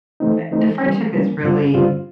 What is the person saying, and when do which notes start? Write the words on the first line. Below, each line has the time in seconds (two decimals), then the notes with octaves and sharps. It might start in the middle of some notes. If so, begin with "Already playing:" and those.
eh, the friendship is really
0.20 E3 A3 C4 D#4
0.51 E3 A3 C4 D#4
0.81 E3 G3 A#3 C#4
1.13 E3 G3 A#3 C#4
1.43 G2 D3 G3 C4 F4
1.74 G2 D3 G3 C4 F4